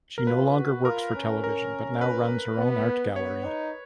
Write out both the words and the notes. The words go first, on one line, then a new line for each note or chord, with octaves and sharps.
She no longer works for television but now runs her own art gallery.
A#4
F4 B4
F#4
F4 A#4
C#4
A#4
B4
B3
B3 C#5
D#4